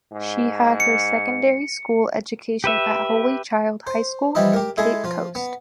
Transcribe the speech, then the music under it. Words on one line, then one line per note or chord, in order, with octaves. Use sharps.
She had her secondary school education at Holy Child High School in Cape Coast.
G#2
C#7
G4 B4 E5
C5
E3 F3 G3 D#4 E4 D#5
G4 A#4
G#3 A3 E4 G#4
F3 F4
B3